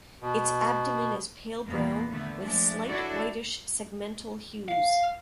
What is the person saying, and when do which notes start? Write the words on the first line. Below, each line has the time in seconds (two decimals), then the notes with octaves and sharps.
Its abdomen is pale brown with slight whitish segmental hues.
0.21 B2
1.68 E2 A#2 A#3 B3
2.10 D3 A3 B3
2.41 F3 G#3 A3 D4
2.89 D4 E4 F#4 A4 C#5 D5
4.68 F5